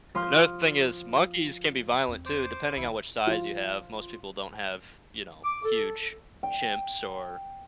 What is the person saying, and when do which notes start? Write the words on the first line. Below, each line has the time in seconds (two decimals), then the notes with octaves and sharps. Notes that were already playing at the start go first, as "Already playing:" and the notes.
Another thing is monkeys can be violent too, depending on which size you have, most people don't have, you know, huge chimps or
0.15 F3 C6 F6
2.08 E2 C4
2.26 C5 D6
2.77 C2 D#3 E4
3.27 F3 F4
5.44 D6
5.63 A4
6.43 G5